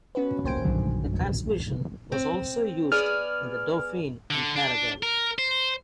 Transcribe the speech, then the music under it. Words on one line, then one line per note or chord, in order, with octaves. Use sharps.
The transmission was also used in the Dauphine and the Caravelle.
B3 C#4 F#4 B4
C2 A#3 C5 G5 G#5 D7
B1 G2 A#2 D3 D#3 F#3
C4
B3 G#4 D5 F6
D3
D4
A#4
C5